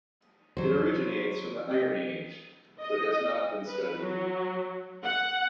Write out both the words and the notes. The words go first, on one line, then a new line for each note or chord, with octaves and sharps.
It originates from the Iron Age, but has not been studied.
F#3 C5
G4 D#5
D#5
B4
F#3
F#5